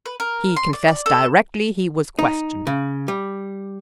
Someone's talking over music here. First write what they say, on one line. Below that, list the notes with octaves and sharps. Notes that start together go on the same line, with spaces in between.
He confessed directly he was questioned.
B4
A#4
C6
D5
D5
A4
D#4
C#3
G3